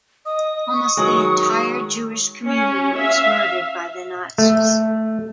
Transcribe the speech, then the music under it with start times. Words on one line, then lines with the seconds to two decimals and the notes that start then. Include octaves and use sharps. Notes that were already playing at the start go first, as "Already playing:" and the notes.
Almost the entire Jewish community was murdered by the Nazis.
0.26 D#5 D#6
0.73 C#6
0.97 D#3 F#3 G#3
2.45 C#4
2.95 E5 F5
4.38 A3